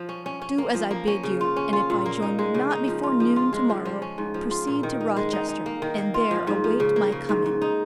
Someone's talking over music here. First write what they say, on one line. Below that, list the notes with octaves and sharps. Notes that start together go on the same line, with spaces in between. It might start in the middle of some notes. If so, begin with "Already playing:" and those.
"Do as I bid you, and if I join you not before noon to-morrow, proceed to Rochester, and there await my coming."
Already playing: F3
C#4
C#4
C#4
A#3
F3
A#3
C#4
C#3
F4
C#4
F4
A#2
A#3
D#4
G#3
C#3
D#4
F3
F4
F3
F4
G#3
F3
F3
C#4
G#2
F3
F4
A#2
D#3
D#4
G#3
D#4
D#4
A#3
D#3
A#3
F4
F3
G#2
F3
C#3
A#3
C#3
G#2
G#2
D#4